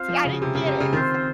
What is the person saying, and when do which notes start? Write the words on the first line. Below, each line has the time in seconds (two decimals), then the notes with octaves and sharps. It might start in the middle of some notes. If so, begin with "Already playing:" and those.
See, I didn't get it, so
Already playing: C4 F4 C5 F5
0.08 F3
0.25 C#3
0.42 C3
0.55 C#3
0.67 C3
0.80 C#3
0.93 D#3 C4 F4 C5